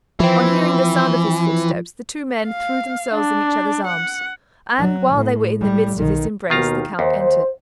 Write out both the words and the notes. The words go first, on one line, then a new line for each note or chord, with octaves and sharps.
On hearing the sound of his footsteps, the two men threw themselves in each other's arms, and while they were in the midst of this embrace, the count entered.
E3 F3 C4 E4
F5
D4
F#5
F#3
A2
A2 G3
B1 D#3
D#2 B2 D#3 F4 A#5
D#2 C5